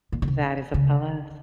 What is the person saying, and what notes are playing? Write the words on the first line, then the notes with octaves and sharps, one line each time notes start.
That is a plus.
A#2
C#3
C3
C#3